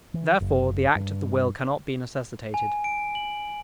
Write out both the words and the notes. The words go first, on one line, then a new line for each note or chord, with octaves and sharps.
Therefore the act of the will cannot be necessitated.
E3
F#1
G2
G#5
D7
F#7